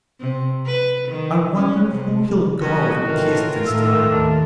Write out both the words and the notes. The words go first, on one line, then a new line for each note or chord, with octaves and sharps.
I wonder who he'll go and kiss this time.
C3
B4
D#3
C#4
C3
F#3 C#4 F#4 D#5
A2 D#3 E3 F4 A#4
A2 D#3 A3 E5
D#2 D4